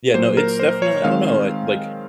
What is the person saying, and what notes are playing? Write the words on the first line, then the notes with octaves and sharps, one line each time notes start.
Yeah, no, it's definitely I don't know it, like
A#2 F#3 A#3 C5
A#4
C5
C#5
D#3 G#3 C4 F5